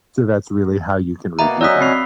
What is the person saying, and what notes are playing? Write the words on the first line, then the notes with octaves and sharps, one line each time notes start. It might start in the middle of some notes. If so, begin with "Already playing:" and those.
So, that's really how you can review that.
B2 A#3 B3 E5 A#5
F#3 C#4 D5 D#5 D#6 E6 F#6 B6
C4 B5 C7 F7